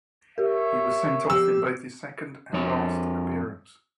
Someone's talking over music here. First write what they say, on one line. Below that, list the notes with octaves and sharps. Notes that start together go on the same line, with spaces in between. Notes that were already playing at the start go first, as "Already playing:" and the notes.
He was sent off in both his second and last appearance.
G4 A#4 C#5 E5
F3 G4 E6
F2 C#5